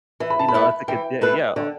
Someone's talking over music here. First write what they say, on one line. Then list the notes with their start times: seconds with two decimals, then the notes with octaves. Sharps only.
you know? It's a like a d yeah, uh
0.20 E3
0.30 B5
0.39 A5
0.48 B5
0.54 A3 E4 B4
0.88 E3 G5
1.21 A3 E4 B4
1.56 D3